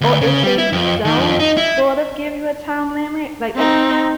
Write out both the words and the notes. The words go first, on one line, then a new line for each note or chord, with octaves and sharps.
or if they don't sort of give you a time limit, like like
D2
C#3
G3
E4
F2
D#3
F2
D#4
E4
C4 D#4